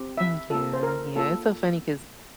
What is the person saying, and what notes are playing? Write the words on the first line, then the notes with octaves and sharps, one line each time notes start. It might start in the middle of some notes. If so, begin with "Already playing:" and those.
Mm, yeah, yeah, it's so funny 'cause
Already playing: C4 G4
E5
A#3 F4 A4
C5
A#4
A#3 F4 A4